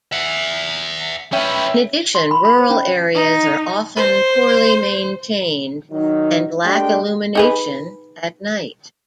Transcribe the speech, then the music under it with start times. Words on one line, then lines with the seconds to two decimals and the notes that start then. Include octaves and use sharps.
In addition, rural areas are often poorly maintained and lack illumination at night.
0.13 E5 F#5
1.33 C#4 B4 C#5 E5 G5
2.15 C6
2.31 B5
2.45 B5
2.59 C5
2.70 C#4
3.14 D#4
3.96 C5
5.91 D#3 F#3 D#4
6.64 G#3 A3 D4 G4 G5
7.35 D#4 G#4 B4